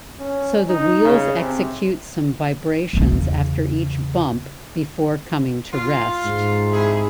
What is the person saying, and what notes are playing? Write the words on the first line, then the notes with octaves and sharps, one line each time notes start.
So the wheels execute some vibrations after each bump before coming to rest.
C#4
D#4
C#3
C3
E2 C#3
F4
G#2
C3 E4 G#4